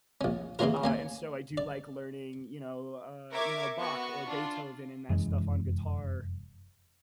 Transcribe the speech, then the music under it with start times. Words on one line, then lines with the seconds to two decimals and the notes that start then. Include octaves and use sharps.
Uh, and so, I do like learning, you know, uh, you know, Bach or Beethoven and that stuff on guitar.
0.21 A#1 C#4
0.59 C#3 E3 A#3 C#4 F4 A#4
0.84 A#3 C#4 G#5
1.58 D5
3.31 A#4 E5 C#6 D6 G#6
3.78 B3 F#4 C#6
4.28 D4 F4
5.09 F1 F#2 E3 G#3